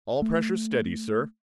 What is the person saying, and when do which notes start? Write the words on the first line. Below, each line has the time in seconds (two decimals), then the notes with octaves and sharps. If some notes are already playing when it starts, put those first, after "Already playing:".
"All pressures steady, sir."
0.22 A3